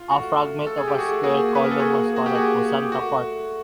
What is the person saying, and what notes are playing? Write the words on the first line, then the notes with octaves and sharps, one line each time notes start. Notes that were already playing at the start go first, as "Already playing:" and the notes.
A fragment of a square column was found at Fuensanta park.
Already playing: F4
A3 F#4
A4
G#4
G4
F#4 G#4
A#3 F#4 G#4
B4
A#4
A4
F#4 G#4
F#4
G4
F#4 G#4
G4
A3 F#4